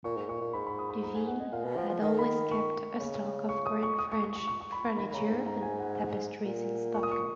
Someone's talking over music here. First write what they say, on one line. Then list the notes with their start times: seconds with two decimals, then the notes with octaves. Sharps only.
Duveen had always kept a stock of grand French furniture and tapestries in stock.
0.04 A#2 C#6
0.17 G#2
0.29 A#2 C#6
0.41 A#2
0.53 G#2 B5
0.67 B5
0.78 D#6
0.90 B5
1.02 A#5
1.15 G#5
1.27 F#5
1.40 D#5
1.52 A#2 F5
1.65 B2
1.77 F3 F#5
1.89 F3
2.01 D#3 D#5
2.19 B5
2.51 C#6
3.00 C#3
3.49 C#6
3.66 D#6
3.83 C#6
3.98 D#6
4.12 C#6
4.23 C#6
4.35 C#6
4.47 C#6
4.60 C#6
4.72 B5
4.84 C#6
4.97 D#3 B5
5.13 C#3 A#5
5.30 G#2 A#5
5.46 A#5
5.63 G#5
5.80 F#5
6.45 A#2
6.94 C#6
7.03 D#6
7.12 C#6